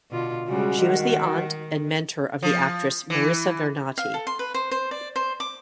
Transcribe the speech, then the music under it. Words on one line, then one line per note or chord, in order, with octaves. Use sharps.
She was the aunt and mentor of the actress Marisa Vernati.
B2 D3 F4
C#3 G3 G#3 F#4
D#3
F3
E3
F5
A4
C6
B4
C5
C5
D5
C5
D6